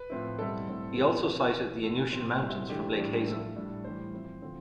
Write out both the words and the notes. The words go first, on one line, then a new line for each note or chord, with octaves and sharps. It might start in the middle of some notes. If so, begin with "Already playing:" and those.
He also sighted the Innuitian Mountains from Lake Hazen.
Already playing: B4
A2 F3 C4 E4
B2 G3 C4 E4 A4
A2 G3 C4 E4
C3 E3 B3 A4
A4
F3 C4 E4 B4
E3 B3 E4
F3 B3 E4 A4
A2 F3 C4
B2 G3 C4 E4
E3 A3 D4 G4
A2 G3 D4
F3 A3 E4 A4
A2 G3 D4
A2 E3 G3 C5
F3 C4 E4
D3 F3 C4